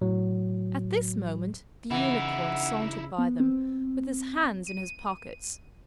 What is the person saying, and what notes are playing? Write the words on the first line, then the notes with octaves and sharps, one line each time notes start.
At this moment the Unicorn sauntered by them, with his hands in his pockets.
A2 F#3
C#3 E3 D#4 E4 F#5
B3
C4
D#7